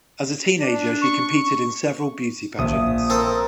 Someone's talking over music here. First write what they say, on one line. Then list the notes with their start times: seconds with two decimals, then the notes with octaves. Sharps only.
As a teenager she competed in several beauty pageants.
0.60 D4
1.02 C#6
2.59 A#1 E5 D#6
3.10 C4 A4 A#4